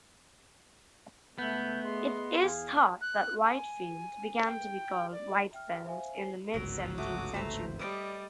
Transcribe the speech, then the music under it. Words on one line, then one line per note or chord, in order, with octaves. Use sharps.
It is thought that Whitfield began to be called 'Whytefeld' in the mid-seventeenth century.
C#2 A3 B3 A4 E5 G6
G#4 D#5 F#5 C6
E2 G#4 F5
F#6
G#5
G5
D5
E5 G5 F6
C5 E5 F5 G#5
C5 G#5 C7
G1 C#2 G#2 F#3 A#4
A3 F#4 D6 D#6
A3 B4 C5 A#5
G3 B4 D5 D#5 D#6